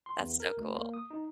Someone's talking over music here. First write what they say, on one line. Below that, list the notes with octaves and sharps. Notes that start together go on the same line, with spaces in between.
That's so cool.
C6
E2
A#4
D2
A#3
D#6
D#4